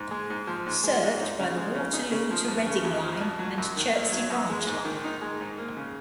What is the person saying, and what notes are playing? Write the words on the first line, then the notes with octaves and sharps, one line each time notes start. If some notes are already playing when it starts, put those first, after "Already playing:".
Served by the Waterloo to Reading Line and Chertsey Branch Line.
Already playing: G#2
G#3
G#2
F3
G#2
G#3
G#2
D#4
C#3
G#3
C#3
D#4
C#3
F3
F2
C#3
F2
F3
F2
F#3
F#2
D#3
A#3
F#3
F#2
G#3
G#2
D#3
D#4
G#3
G#2
A#3
C#3